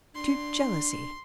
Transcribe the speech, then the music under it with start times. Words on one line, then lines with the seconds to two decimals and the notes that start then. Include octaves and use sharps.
"To jealousy?"
0.15 D4 C6